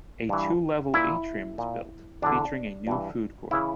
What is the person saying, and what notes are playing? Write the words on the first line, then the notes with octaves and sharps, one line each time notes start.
A two level atrium was built, featuring a new food court.
G2 E3
A#2 E4
A#2
E2 D3 D4
G2 E3
C#3 E3 E4